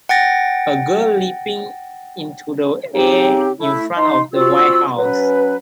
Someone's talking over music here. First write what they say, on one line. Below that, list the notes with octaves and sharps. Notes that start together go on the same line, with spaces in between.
A girl leaping into the air in front of the White house.
F#5 G5 A6 A#6
C#3 C4 D#4 G4
A3 E4
D#4 C6
C4 F4 F#4 E6
F#3 C#4 B4